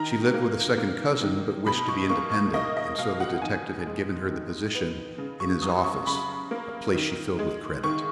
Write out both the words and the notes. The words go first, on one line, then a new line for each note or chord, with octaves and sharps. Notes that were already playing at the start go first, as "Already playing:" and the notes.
She lived with a second cousin, but wished to be independent and so the detective had given her the position, in his office, a place she filled with credit.
Already playing: D#3 A#5
A#3
A#3
D#3
B2 B5
C#6
A#3 C#6
C#6
A#3 D#5
D#5
B2 F5
F#5
D#3 G#5
G#3
D#3
B3
C#3
C#6
F#3 D#6
C#6
C#3 B5
A#3
D#3
G#3
D#3 C#6